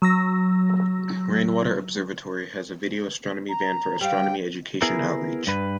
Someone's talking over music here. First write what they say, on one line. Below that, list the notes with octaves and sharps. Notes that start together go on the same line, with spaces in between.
Rainwater Observatory has a video astronomy van for astronomy education outreach.
F#3 E6 A#6
A#5
G3 C5 F5 G5
B3 E4 G#4 A#4
G2 B4